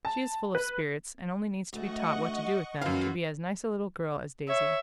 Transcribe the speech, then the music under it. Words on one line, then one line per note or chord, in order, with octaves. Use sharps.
She is full of spirits, and only needs to be taught what to do with them to be as nice a little girl as Daisy.
A5
B4
D2 A3 D#5 F#5 C#6
F#2 D#3 E3 F4 F#4 F5
C#5 E5